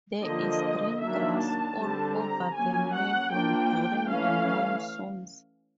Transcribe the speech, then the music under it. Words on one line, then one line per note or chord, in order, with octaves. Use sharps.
There is green grass all over the meadow during the monsoons.
D3 F3 A#3 D#5
D#3 F#3 A#3 D4 E5
A5
D3 G3 C4
A#5
F#3 A#3 C#4 G#5
F#5
F3 A#3 D4 G5
E3 A3 C#4 F5